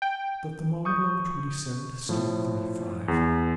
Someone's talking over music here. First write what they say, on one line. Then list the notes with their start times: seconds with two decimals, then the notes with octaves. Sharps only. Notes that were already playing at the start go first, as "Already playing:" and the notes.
The thermometer, on the twenty-seventh stood at thirty-five.
0.02 G5
0.85 C#6 D#6 G6
2.09 A2 F3
3.08 E2